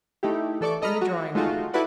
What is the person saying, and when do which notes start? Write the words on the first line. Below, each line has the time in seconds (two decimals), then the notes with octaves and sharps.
In the drawing-room.
0.23 A3 D#4 E4 G4
0.61 E3 A4 D5 C#6 D6
0.82 A4 D#5 A#5 B5 F6
1.01 F#4
1.35 G#3 A3 D#4 F4 F#4
1.73 E4 F#4 A4 B4 D5 F#5